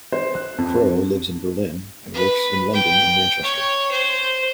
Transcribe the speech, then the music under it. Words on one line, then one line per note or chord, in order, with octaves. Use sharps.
Crowe lives in Berlin and works in London and Manchester.
C5
F#6
F2
B4
G5
C#5
C5